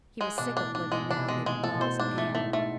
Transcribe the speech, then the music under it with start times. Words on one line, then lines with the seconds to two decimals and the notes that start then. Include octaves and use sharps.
He was sick of living now that he'd lost Anne.
0.21 G#3
0.38 B2 D4
0.56 A2 D4
0.74 G#2 D4
0.92 B2 G#3
1.10 C3 D4
1.28 B2 G#3
1.46 A2 G#3
1.64 A2 A4
1.75 B2
1.81 A2 C5
2.00 G#2 D4
2.18 A3
2.35 A2 A3
2.53 G#2 A3